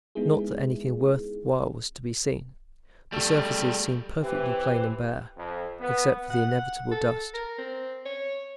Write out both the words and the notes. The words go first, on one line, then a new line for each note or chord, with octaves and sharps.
Not that anything worth while was to be seen; the surfaces seemed perfectly plain and bare, except for the inevitable dust.
G#3 B3 D#4 E4 G#4
G3 A3
E3 C4 G4 B4
F2
B3
F#5
A4
A#4
C4
C#5